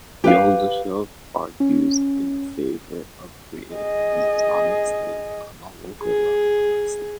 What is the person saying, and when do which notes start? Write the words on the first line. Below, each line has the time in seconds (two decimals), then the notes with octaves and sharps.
Yo'ldoshev argues in favor of creating an Islamic state on a local level instead.
0.24 G4 B4 F5
1.60 C#4
3.74 G#4 D#5
6.02 G#4